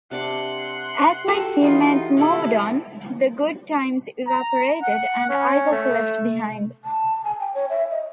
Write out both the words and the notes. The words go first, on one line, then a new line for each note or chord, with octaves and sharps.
As my team-mates moved on, the good times evaporated and I was left behind.
C3 D4 F#5 C6 D6
F#4 G4 A4
E3 D#4 F4
C3 E4 A4 B5
A#5
F#5
C#4
A3
A5
G#5
G5
C#5
E5
D#5